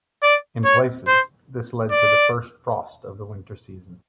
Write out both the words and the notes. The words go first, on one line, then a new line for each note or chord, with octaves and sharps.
In places, this led to the first frost of the winter season.
D5
C#5
C5
D5